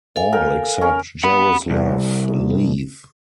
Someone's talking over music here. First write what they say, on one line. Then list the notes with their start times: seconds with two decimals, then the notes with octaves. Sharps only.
All except Jaroslav leave.
0.16 A4 F5 G#5
0.33 A#4 G5
0.81 C#4 A#4
1.24 F#5 B5
1.70 C2